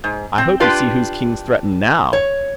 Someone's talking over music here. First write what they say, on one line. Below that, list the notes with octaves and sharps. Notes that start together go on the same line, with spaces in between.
"I hope you see whose king's threatened, now."
G#2
C4
D4 F4 G4 B4
C#5